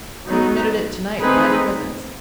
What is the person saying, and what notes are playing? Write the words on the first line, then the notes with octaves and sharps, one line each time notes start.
He admitted it tonight in my presence.
F#3 B3 D#4
A3 C4 D#4 G#4 B4